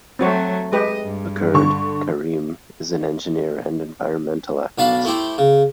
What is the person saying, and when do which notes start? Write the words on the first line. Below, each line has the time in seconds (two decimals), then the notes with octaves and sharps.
A Kurd, Karim is an engineer and environmental activist.
0.19 F#3 A3 C4 F#4 C#5
0.73 G#3 G4 B4 D#5
1.03 G2
1.54 D3 C#6
4.78 B1 D4 F5 A5 B5
5.05 A3 E4 G4 C5
5.38 C#3